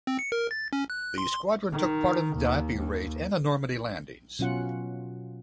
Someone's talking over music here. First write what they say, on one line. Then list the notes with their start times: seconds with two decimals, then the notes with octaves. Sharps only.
The squadron took part in the Dieppe Raid and the Normandy landings.
0.07 C4
0.19 C#7
0.32 A#4
0.51 A6
0.73 C#4
0.90 F#6
1.18 C6
1.72 D#3
2.36 D#2
2.77 D#2
4.39 B2 F#3 C#4 F4 F#5